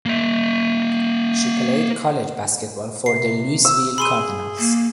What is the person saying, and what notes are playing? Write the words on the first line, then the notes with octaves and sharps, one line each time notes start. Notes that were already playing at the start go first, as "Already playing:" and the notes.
She played college basketball for the Louisville Cardinals.
A#3 E5
C3 C7
E6
G#4 B5 C6 D#7
A#3